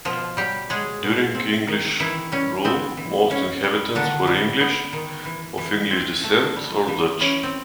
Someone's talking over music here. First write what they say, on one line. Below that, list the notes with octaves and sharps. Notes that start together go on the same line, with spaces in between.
During English rule most inhabitants were English, of English descent, or Dutch.
B2 F3 F4
F#3 G3 G4
F#3 G#3 G#4
B2
C4
D#3
D#3 E3 E4
G3 C#4
B3 C4
E3
E3 C#4
G3
D3 D#3 D4
G3
B3
D#3
E3
E3
C4
A3
G3
E3
E3 C#4
C4